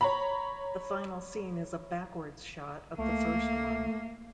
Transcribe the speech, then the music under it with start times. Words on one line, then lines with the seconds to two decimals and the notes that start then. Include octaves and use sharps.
The final scene is a backwards shot of the first one.
0.01 C#5 A#5 B5
2.98 C#2 A3 A#3